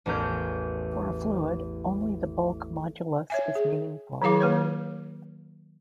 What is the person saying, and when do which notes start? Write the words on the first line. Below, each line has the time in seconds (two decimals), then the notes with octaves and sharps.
For a fluid, only the bulk modulus is meaningful.
0.06 A1 E2 C#4 A#4 G6
3.30 C#5 E5 G#5
3.55 G#4
4.22 D#3 F#3 E4 G#4 F5 D6
4.40 D#3 A#3 B4 C#5